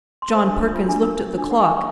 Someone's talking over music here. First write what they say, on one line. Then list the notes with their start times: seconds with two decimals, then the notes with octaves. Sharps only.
John Perkins looked at the clock.
0.22 C6
0.34 C5
0.48 D4
0.62 F4
0.75 F4
0.88 D4
1.02 A#4
1.19 C#4
1.38 D4
1.51 F#5
1.63 G#5
1.77 C#6